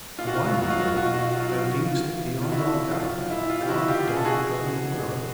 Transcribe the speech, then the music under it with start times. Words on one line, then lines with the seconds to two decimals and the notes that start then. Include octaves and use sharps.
'Awhile ago thou deemedst it beyond all doubt that God doth govern the world.'
0.19 A#2 F4
0.27 F#4
0.36 F4
0.45 F#4
0.54 F4
0.58 F#3 F#4
0.70 F4
0.79 F#4
0.88 F4
0.96 B2 F#4
1.06 F4
1.14 F#4
1.23 F4
1.32 F#4
1.36 F#3 F4
1.49 F#4
1.58 F4
1.67 F#4
1.75 C#3 F4
2.14 E3
2.41 F4
2.52 C3 E4 F#4
2.91 D#3 F#3 F4
3.30 A#2 E4
3.50 F4
3.61 G4
3.69 F3 E4 F#4
3.88 F4 G4
4.08 C#3 G#4
4.17 A4
4.25 F#4 G#4
4.47 E3
4.85 B2